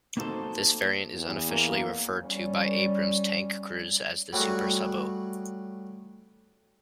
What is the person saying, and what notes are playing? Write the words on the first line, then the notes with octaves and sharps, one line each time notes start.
This variant is unofficially referred to by Abrams tank crews as the "super sabot".
A#3 B3 D#4 F#4 A4 C5
E2
A#3
G3 C#4
F#3 G3 A3 F#4 G#4